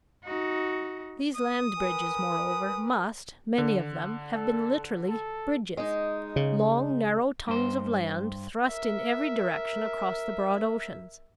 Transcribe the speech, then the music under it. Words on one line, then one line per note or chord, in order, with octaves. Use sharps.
These land bridges, moreover, must, many of them, have been literally bridges; long, narrow tongues of land thrust in every direction across the broad oceans.
D#4 F#4
D#6
A#4 B4 G#5
D3
A4
A4
G#3 D#4
C#3
G2 C5
A#4 E5